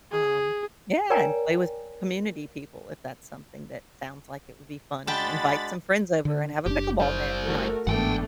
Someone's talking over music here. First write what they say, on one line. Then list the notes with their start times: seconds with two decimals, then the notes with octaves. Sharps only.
Um Yeah! And play with community people if that's something that sounds like it would be fun. Invite some friends over and have a pickleball net night.
0.12 G#4
1.10 A#4 C#5 D5 G5 G#5 A#5
5.07 G#3 D4 F#4 G5 A5 B5 A6
6.25 D3
6.66 F#1 A#2 D4 G4
7.00 G3 C5
7.42 A3 F#4 A#4
7.87 G1 G#2 E3 A3 B3 D4 F#5 G5